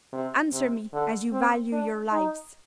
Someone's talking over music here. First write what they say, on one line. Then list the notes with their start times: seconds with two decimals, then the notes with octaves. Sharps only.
Answer me, as you value your lives.'
0.13 C3
0.53 C3
0.93 D3
1.33 C4
1.72 D4
2.12 D#4